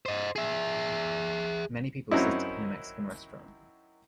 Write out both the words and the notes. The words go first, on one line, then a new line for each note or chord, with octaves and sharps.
Many people sit in a Mexican restaurant.
C5 D#5
G#4 E5
F#2 F#3 C4 C#4 D#4 E4